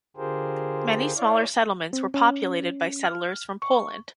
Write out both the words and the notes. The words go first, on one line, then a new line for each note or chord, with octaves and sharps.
Many smaller settlements were populated by settlers from Poland.
D3 F4 G4 G#4 A#4 C5
E4 C#5 D5 F5
C4
C#4
F6
C#6